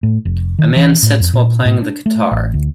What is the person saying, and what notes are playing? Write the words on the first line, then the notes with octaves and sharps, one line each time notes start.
A man sits while playing the guitar.
A2
F1
D#3
E3
A2
F2
A#2
A2
D4
A3
A1
D2